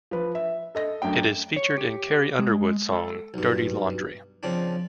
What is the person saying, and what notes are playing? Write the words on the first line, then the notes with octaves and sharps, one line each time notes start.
It is featured in Carrie Underwood's song, "Dirty Laundry".
F3 B4
E5
A4 D#5 A#6
F#2 A3 D4 G5
C#5
G4
G#3
A4
B1 G2
C#3 F3 C4 D4